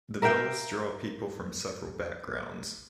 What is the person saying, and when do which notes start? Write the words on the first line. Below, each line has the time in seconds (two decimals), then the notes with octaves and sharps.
The villas draw people from several backgrounds.
0.22 A#4 E5 F5 G5